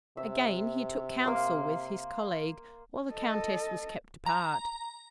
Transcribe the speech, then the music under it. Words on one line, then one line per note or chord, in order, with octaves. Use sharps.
Again he took counsel with his colleague, while the Countess was kept apart.
C3 E5
A#3 F5 C6
A4 D#5
A#5